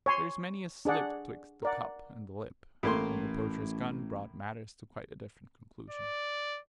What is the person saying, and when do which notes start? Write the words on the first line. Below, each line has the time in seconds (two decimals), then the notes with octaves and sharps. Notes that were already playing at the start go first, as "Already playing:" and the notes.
"There's many a slip 'twixt the cup and the lip;" and the poacher's gun brought matters to quite a different conclusion.
0.06 C#5 G#5 C6
0.85 D4 G#4 D5 F#5
1.63 A#4 D5 F#5
2.83 A1 A2 A#3 C6
5.90 D5